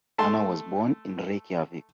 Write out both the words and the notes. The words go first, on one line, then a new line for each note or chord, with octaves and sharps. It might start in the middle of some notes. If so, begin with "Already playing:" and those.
Anna was born in Reykjavik.
A3 A5 C6